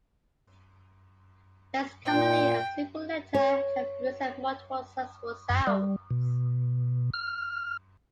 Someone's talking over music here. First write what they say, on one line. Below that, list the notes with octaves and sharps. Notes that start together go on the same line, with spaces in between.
Less commonly, a single letter can represent multiple successive sounds.
A#2 G5
C#5
F#2
G3
B2
F6